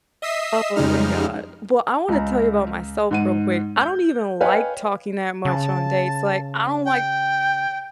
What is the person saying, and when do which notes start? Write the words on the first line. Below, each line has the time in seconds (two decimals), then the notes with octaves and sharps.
Oh my god. Well, I wanna tell you about myself real quick, I don't even like talking that much on dates, like, I don't like
0.22 D#5 E5 D#6 E6 B6 C7
0.76 F2 C#3 G3 G#3 D#4 F6
2.09 C#2 A#5
3.11 G#2 F#5 D#7
3.81 G6
4.40 B4 C#5 D#5 F5 G5 G#5
5.45 C#3 A5
6.85 G5